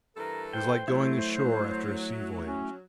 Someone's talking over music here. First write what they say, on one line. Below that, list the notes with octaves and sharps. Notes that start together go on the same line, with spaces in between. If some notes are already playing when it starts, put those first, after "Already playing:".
It is like going ashore after a sea voyage.
G2 E3 A4 A#4
C5 G5
F#3 A3 E4
C#4